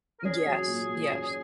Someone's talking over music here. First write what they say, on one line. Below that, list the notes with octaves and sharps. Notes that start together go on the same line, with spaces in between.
Yes, yes.
A#4
C#4 G#4
F#3
A#2
A#2
C#4